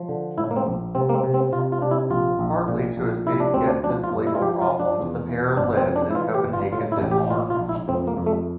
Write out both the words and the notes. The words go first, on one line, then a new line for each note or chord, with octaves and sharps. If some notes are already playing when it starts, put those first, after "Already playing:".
Partly to escape Getz's legal problems, the pair lived in Copenhagen, Denmark.
Already playing: F3
D3
A2 E4
A#3
C4
A#1
C3 C4
A#3
C4
C3
C4
C3 F4
F4
C3 D4
E4
A#1 F4
A#1
A#2
A#1
C3 E4
D4
D2 C4
D4
F3 D4
F4
G2
E4
F4
F3 G4
F4
F3
D4
E2
E3
G1 D4
C4
F2
D4
E4
E3 F4
G4
G1
F4
A2 F4
E4
A1
G4
A#2 F4
F4
A#1
E4
F2 C4
A#3
F2
A3